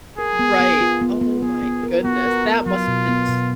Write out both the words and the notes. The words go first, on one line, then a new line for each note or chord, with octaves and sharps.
Right, oh my goodness, that must have been s
G#4 A#4
B3
B3
F4
B3
B3
B3 G#4
B3
A#4
B3 F#4
A#4
B3
F#3 F4
B2
B3
B2